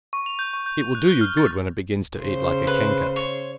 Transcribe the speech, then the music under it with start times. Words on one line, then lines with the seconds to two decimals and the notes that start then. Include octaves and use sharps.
It will do you good when it begins to eat like a canker!
0.13 C#6
0.26 F7
0.39 G6
0.53 C#6
0.66 G6
0.95 F#6
1.08 G7
1.21 F6
1.37 A6
2.20 C#3 C5
2.67 B4
3.16 C#5